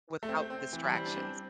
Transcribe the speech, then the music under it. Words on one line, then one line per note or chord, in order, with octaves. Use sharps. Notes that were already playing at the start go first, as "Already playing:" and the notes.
without the distractions.
A3
C4
C4
E3
G3
C4
D4
C4